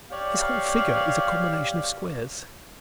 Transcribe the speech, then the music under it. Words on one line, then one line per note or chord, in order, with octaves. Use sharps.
His whole figure is a combination of squares.
G4 C#5 D5 F5